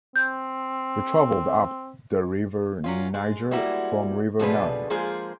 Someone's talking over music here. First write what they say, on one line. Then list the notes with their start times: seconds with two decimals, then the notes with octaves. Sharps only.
They traveled up the River Niger from River Nun.
0.16 C4 G6
2.84 F#3 C#4 F4
3.14 G#3
3.51 G3 G#3 A#3 E4 F#4
4.39 B2 F3 D4 G#4 A4 B4
4.90 F3 G#3 A#3 F4 G#4 C5